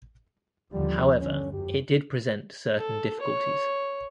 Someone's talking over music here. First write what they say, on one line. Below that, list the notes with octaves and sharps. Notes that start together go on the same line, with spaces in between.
However it did present certain difficulties.
D#2 D3 F3 G3
G1 D3 C#4
F#2 G4
A4
C#5